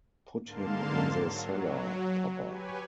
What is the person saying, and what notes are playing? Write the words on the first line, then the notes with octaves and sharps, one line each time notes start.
Put him in the cellar, papa.
G#2 D3 A#3 F5 A5 C6
F#3
G4 B4 C#5 G#5